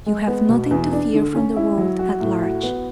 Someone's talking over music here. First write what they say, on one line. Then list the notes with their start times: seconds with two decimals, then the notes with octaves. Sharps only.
"You have nothing to fear from the world at large."
0.06 G#3
0.28 B3
0.49 B2
0.71 E2
0.92 D4
1.13 D3
1.35 C#4
1.56 E4
1.78 F#3
1.99 F#4
2.20 A2
2.42 F#4
2.63 B3